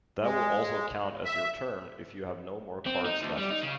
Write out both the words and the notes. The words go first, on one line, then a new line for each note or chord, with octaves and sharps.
That will also count as your turn if you have no more cards left.
G#3
E5
C4
D#4
D2
G3
D#4
C#3